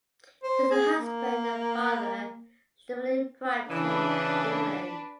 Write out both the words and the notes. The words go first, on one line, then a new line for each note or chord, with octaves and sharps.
He is a husband and father living in Brighton, England.
C5
G#4
A#3
C#3 E3 D4 B4